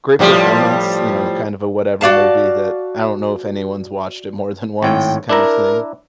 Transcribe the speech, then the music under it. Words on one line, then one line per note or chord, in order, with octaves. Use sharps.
Great performance, you know, kind of a whatever movie that I don't know if anyone's watched it more than once kind of thing.
A2 F3 G3
F#4 D5 F5 A5
G#1 A2 G5
D4 E4 A#4 A#5